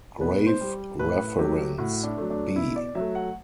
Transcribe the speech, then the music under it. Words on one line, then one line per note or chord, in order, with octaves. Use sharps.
Grave Reference: B.
B2 B4
C5
G3
A2 B4
F#3 A3 G4
A2 F#4
D4
F#3 A3
D4
B2 E4
D5
F#3 A3 E5
F#5